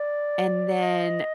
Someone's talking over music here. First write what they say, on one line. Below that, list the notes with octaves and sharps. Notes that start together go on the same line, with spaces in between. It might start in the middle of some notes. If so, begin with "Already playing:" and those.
And then,
Already playing: D5
D#5